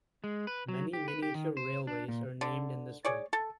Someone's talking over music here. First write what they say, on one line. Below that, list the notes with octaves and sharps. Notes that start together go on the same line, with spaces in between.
Many miniature railways are named in this way.
G#3
B4
F#3
G4
B4
G4
D#3
C5
D4
A#2
D3
G#4 C#5 D5
A4